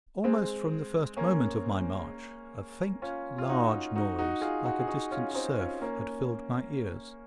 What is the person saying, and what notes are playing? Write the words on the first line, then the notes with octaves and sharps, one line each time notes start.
Almost from the first moment of my march, a faint large noise, like a distant surf, had filled my ears.
G#3 C4
A#3 C#4
C#4 F4
F4
D#4 F#4
D#4 F#4
D#4 F#4
F4 G#4
D#4 F#4
G#4
D#4 F#4
C#4 F4
F4
C4 D#4
C#4 F4
A#3 C#4